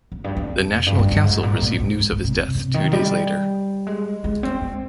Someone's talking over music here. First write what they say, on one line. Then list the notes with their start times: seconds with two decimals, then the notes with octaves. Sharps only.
The National Council received news of his death two days later.
0.12 F2
0.24 G2
0.37 F2
0.86 G2
0.99 G2
1.12 G2
1.24 G#2
1.43 A#2
1.62 A#2
1.80 G#2
2.00 G#2
2.12 G#2
2.24 C3
2.37 C3
2.55 C3
2.74 D#3
2.93 G3
3.87 G#3
4.24 G#3
4.43 C4
4.61 C4